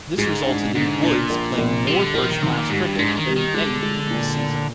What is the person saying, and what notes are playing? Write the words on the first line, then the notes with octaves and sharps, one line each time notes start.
This resulted in Woods playing more first-class cricket than in any previous season.
G#2 G#3
D4
G#2 D3
A#2 D4
A#1
A#1
C3 G3
D3
A#1 F3
D#3
C3 D#3
A#2
G#2 G3
G2
G#2 D4
D#3
G3
D#3
D3 G#3
G#3
A#2
A#2